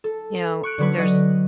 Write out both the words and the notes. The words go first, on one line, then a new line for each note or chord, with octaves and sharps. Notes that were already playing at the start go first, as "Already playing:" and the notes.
you know, there's,
A4
C#6 F#6 D7
D3 F#3 B4 C#6
D#5 F#5